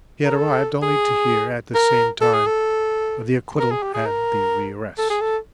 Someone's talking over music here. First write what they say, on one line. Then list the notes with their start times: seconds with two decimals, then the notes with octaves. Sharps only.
He had arrived only to hear, at the same time, of the acquittal and the rearrest.
0.25 A#4
0.36 A4
0.82 G#4
1.75 A#4
2.21 A4
2.34 G#4
2.46 A4
3.59 A#4
3.71 G#4
3.82 G4
3.94 G#4
4.06 A#4
4.98 A4
5.10 G#4
5.21 A4